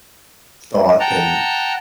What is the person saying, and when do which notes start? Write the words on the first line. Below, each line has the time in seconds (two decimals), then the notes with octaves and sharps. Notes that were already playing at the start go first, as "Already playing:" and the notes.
thought and
1.00 F#5 G5 A5 A#5